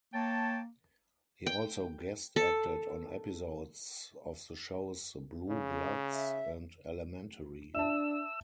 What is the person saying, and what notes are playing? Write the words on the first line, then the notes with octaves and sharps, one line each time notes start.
He also guest acted on episodes of the shows "Blue Bloods" and "Elementary".
A#3 C#5 G5 A5
G5
A4
C#3
E5
D4 E5 A5 E6